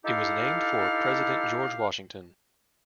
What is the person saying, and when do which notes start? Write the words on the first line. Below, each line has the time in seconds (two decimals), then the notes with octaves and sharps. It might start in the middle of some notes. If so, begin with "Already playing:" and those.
It was named for President George Washington.
0.05 D#4 E4 G4 A4 F5